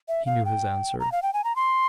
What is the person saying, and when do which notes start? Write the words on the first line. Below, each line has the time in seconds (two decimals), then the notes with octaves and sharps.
He knew his answer.
0.08 E5
0.26 F5
0.45 G5
1.00 A#5
1.12 F5
1.22 G5
1.33 G#5
1.44 A#5
1.56 C6